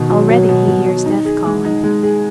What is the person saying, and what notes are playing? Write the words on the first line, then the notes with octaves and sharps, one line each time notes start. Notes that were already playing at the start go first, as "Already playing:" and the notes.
Already he hears death calling.
Already playing: B2 D#3
F#3
F#3
B2
B2
F#3
D#4
G#4
G#3
D#4
G#3
G#4